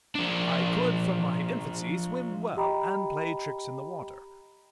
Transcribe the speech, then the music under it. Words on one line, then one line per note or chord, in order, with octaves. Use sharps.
I could, from my infancy, swim well, and play tricks in the water.
F3 D4
G4 D#5 G5 A#5 B5